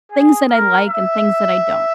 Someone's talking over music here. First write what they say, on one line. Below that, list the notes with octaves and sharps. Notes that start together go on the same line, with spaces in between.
things that I like and things that I don't.
G#4
A#4
E5